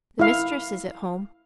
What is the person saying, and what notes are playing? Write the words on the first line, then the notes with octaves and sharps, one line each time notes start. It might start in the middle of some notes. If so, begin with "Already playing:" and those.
The mistress is at home.
E4 F5